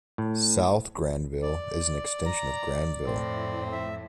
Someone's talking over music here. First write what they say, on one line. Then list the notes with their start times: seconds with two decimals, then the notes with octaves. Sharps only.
South Granville is an extension of Granville.
0.18 A2
1.42 D5
2.26 A#5
3.07 F2 A2 C4
3.72 E5